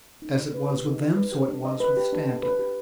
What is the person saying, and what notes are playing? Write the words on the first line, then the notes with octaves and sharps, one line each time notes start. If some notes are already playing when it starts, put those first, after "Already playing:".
As it was with them, so it was with Stanton.
D#4
D5
B4
G4
D#4
D5
B4
G4
D4
D#5
B4
G4
D4
D#5
B4
G4